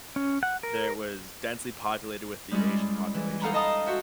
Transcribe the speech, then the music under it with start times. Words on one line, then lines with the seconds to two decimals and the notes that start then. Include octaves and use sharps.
it was densely populated with the Asian population,
0.16 C#4
0.43 F#5
0.63 A#4
2.51 G3 G#3 C#4 E4 D5
3.14 E3
3.41 D#4 A4 F5 F#5 A#5 B5
3.53 A4 D#5 F5 A5 A#5 D#6
3.87 F#4 C5 E5 F#5